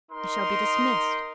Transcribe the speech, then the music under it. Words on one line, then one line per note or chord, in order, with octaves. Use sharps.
I shall be dismissed.
D#4 A#4 C6